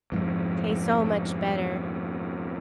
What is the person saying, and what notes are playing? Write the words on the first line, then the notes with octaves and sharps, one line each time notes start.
Tastes so much better.
F2 G#2